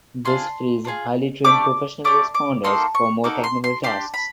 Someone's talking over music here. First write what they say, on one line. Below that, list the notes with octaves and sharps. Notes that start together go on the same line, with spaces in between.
This frees highly trained professional responders for more technical tasks.
D4 F4 G#4 C6
D4 F4 G#4
A3 D4 G4 D6
A3 D4 G4 D6
D6
A#3 D#4 F#4 A4 C6
C#6
A#3 D#4 F#4 A4 D6
C6
C6
D4 G4 C6
B5